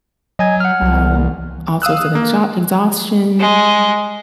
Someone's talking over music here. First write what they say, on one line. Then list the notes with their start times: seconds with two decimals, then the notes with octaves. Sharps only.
um, all sorts of exhau exhaustion,
0.39 F#3 D#5 G#5 G#6
0.60 F#5 F6
0.82 C2
1.82 F5 D#6 E6 F#6
2.15 A#3
3.40 G#3